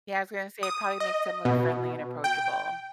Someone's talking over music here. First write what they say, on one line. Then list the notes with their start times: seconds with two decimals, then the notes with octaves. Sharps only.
Yeah, I was gonna say it probably makes him look friendly and approachable.
0.63 D#6
1.00 D#5
1.45 B2
2.24 G5